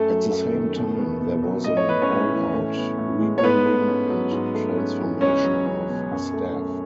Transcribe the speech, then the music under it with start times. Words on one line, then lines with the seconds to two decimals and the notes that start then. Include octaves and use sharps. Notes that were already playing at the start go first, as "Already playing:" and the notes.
At the same time there was an all-out rebuilding and transformation of staff.
Already playing: F#2 A3 A4
0.08 F#3
0.31 F#2
0.53 D#3
0.76 B2
0.98 B3
1.21 B2
1.42 F#3
1.64 A2 D#5
1.77 C#5
1.87 B3 B4
2.02 C#4 C#5
2.10 A2
2.32 E3
2.53 A2
2.76 B3
2.98 A2
3.20 G#3
3.38 C#5
3.43 G#2 B3 B4
3.65 A3
3.88 C#4
4.10 F#3
4.32 G#2
4.55 A3
4.77 C#4
4.99 E3
5.21 C#2 C#4 C#5
5.44 F#3
5.66 C#4
5.88 B2
6.11 F#2
6.34 A3
6.55 F#2